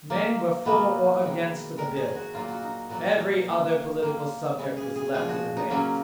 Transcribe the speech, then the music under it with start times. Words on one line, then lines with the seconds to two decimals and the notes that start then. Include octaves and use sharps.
Men were for or against the bill--every other political subject was left in abeyance.
0.10 D#3 F#3 A#3
0.65 B2 F#3 A#3 B3
1.22 D#3 G#3
1.78 D#3 G#3 A#4
1.96 G#4
2.15 F#4
2.34 A#2 F#3 A#3 F4
2.48 F#4
2.62 D#4
2.89 A#2 F#3 A#3 F#4
3.46 B2 A#3
4.02 D#3 A#3
4.58 C#3 G#3
4.77 G#4
4.96 G#4
5.14 A#2 F3 G#3 G#4
5.29 F#4
5.57 D#4
5.70 C#3 F#3 A#3 C#4